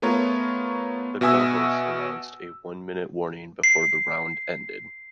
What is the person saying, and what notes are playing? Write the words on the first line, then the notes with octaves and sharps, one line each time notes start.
The co-host announced a one-minute warning before the round ended.
A3 B3 F4 A#4 C#5
B2 F#4 E5 G#5 D#6 E6
C7